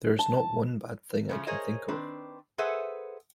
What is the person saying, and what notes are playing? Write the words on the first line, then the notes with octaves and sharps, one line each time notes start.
There's not one bad thing I can think of.
A5
C#3 F3 A3
G#4 A#4 C5 C#5 D#5
D#3 C4 D4 B4
G#4 A4 B4 C5 E5 F#5